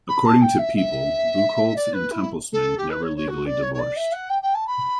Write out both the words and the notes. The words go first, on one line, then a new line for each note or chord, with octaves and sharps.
According to "People", Bucholz and Tempelsman never legally divorced.
B5
A5
G5
E5
E5
D5
B4
E4
A4
G4
B4
C#5
C#5
F#4
D5
C#5
C#5
D5
E5
F#5
G5
G5
A5
B5